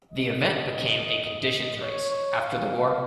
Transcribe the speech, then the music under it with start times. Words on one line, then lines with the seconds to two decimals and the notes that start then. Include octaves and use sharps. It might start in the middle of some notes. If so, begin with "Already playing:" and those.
The event became a conditions race after the war.
0.11 D#5
1.82 C#5
2.10 C#5
2.39 F5